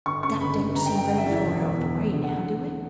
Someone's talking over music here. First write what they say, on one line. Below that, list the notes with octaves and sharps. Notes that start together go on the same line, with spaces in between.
That don't seem very far out of the way now, do it?'
G1 C#6
C#3 C#6
G1 B5
G1
G1 A#5
G5
F#2
G5
F#2 F#5
E5
E3 D5
E5
E1
E2
E2
E2
D3
F#5